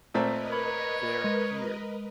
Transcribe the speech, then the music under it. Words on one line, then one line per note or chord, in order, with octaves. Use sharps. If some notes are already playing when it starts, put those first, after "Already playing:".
They’re here.
A#2 A3 C4 A#4 B4 D#5
C#5 B5
G#3